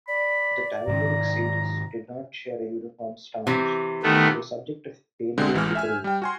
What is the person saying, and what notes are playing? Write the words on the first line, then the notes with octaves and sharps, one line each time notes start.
The Talmudic sages did not share a uniform stance on the subject of Paleo-Hebrew.
D5 B5
G#2 C3 D#3 A#5
C3 E3
D#3 A3 B3
C2 D3 G#3 C4 G6
A1 E3 G#3 F6
E5 G#5 F6
G3 G5
F#4 G#5 C6